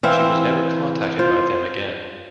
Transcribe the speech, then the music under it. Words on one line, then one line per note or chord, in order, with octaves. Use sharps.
She was never contacted by them again.
E3 C4 E5 F5
F4 C5